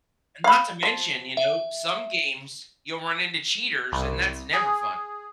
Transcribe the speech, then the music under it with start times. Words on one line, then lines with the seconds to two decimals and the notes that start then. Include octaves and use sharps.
And not to mention, you know, some games, you'll run into cheaters, and that's never fun.
0.44 F5 B5
0.83 F3
1.37 E5
3.92 C2
4.53 G#4